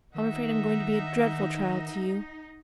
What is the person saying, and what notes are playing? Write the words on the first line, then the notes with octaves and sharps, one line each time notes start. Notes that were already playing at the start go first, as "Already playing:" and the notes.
I'm afraid I'm going to be a dreadful trial to you.
D#3 D#4 E5 F#5